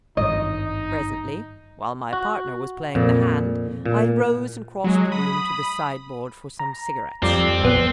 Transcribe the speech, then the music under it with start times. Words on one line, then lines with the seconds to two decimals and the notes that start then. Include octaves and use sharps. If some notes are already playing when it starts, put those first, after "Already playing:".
Presently, while my partner was playing the hand, I rose and crossed the room to the sideboard for some cigarettes.
0.17 G#1 G2 D#4 D#5
2.13 F#4
2.95 F2 A#2
3.85 A#2
4.84 F#3 G#3
5.12 B5 D#6
6.59 A#5
7.22 F2 F3 G3 C4 D5
7.63 A#1 B3